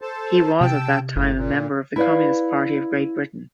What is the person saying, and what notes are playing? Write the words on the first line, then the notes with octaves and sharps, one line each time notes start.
He was at that time a member of the Communist Party of Great Britain.
A4 C5 A5
C3 G5 A5 E6
G1 A2
A#2
E4 B4 D5 F5